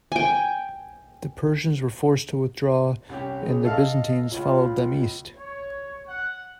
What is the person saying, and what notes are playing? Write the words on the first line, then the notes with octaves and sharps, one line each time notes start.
The Persians were forced to withdraw, and the Byzantines followed them east.
G5 G#5
C2 C#4 G4
G#4
A4 D#5 F5 F6
C#2 C#3 F4
C#5
F#5